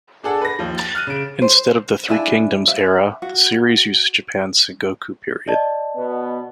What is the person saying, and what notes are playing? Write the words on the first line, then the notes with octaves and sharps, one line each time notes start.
Instead of the Three Kingdoms era, the series uses Japan's Sengoku period.
D4 G#4 A4 F#5
B4 A#6
D#2 F3
A6
F6 F#6 D#7
C#3 D7
C5
D4 E4 E5 G#5
E5
F#4
D5 D#5 A5
B2 B3